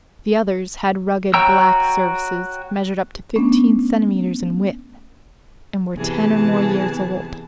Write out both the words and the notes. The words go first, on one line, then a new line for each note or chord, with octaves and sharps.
The others had rugged black surfaces, measured up to fifteen centimeters in width, and were ten or more years old.
F#4 C#5 G5 A#5 E6
A3 B3 C#4 D4
C3 E3 B3 G#4 A5